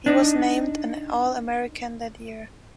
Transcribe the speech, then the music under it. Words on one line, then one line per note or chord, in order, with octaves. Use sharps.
He was named an All American that year.
D4 D#4